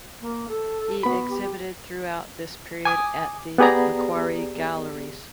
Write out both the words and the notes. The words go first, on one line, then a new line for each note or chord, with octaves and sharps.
He exhibited throughout this period at the Macquarie Galleries.
A#3
A4
B3 F#4 B5
G4
G#5 D6 D#6
B3 G4 G#4 D5 A#5